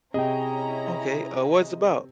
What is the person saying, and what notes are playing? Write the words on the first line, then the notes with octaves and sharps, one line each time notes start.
Okay, uh, what it's about?
C3 C#4 E4 G#4 D#5 G5 A#5